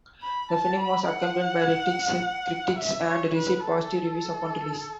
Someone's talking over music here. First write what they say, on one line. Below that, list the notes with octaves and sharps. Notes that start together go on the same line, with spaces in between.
The film was acclaimed by critics and received positive reviews upon release.
B5
A5
B5
F#5
E5
C#5
B4
A4